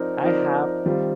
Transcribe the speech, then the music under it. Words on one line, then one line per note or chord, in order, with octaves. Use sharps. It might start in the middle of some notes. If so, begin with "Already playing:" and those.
I have
Already playing: F3 C4 D#4 A#4 D5
F3 C4 D#4 A#4 D5
D#3 G3 C4 F4